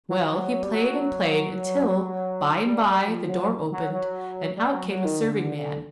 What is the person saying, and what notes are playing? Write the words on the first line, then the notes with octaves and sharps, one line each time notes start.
Well, he played and played until, by-and-by, the door opened, and out came a serving-man.
F#3
G3
F#3
G3
G3
F3
F#3
F#3
F#3
G3
F#3
F#3
D#3
D3